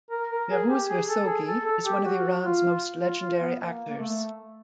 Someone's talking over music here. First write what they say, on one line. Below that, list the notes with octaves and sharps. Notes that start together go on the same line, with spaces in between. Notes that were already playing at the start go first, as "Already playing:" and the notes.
Behrouz Vossoughi is one of Iran's most legendary actors.
A#4
A#4
G#4
G4
G#4
A4
G#4
A4
A4
G4
F#4
F4
F4
F4
B3
A#3
A#3
A3